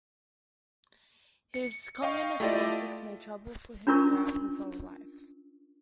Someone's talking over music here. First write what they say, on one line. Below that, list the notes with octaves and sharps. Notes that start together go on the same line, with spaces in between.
His communist politics made trouble for him throughout his whole life.
C#7
D#5 F5 G5 C#6
A3 E4 F4 G4 D5 D#5
C#4 D4 F4 A#4 C#6